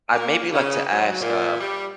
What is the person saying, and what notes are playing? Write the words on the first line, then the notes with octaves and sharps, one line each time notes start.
I, maybe, like to ask, um
A#3
C#3
F#3
A#2
G3